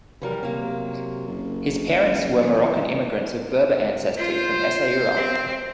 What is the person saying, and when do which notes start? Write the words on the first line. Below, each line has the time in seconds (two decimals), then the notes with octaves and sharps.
His parents were Moroccan immigrants of Berber ancestry from Essaouira.
0.22 E3 F#3 G3 A#4
0.43 C3 F#3 A#3
1.28 F#1
2.39 E3 F#3
4.17 F4 C5
5.16 C4